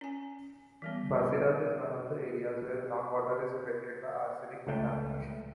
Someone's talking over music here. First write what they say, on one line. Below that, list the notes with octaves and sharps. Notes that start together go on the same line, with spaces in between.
Basirhat is one of the areas where ground water is affected by arsenic contamination.
C#4 G#5
E3 G3 B3
C#2 A3 G5